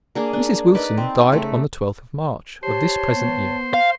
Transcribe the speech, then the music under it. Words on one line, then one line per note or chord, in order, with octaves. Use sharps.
Mrs. Wilson died on the twelfth of March of this present year.
A#3 D4 G#4
D4
D#4 B4 D5
C4
C#3 A3
G4 C5 C#5 A5
B3
F5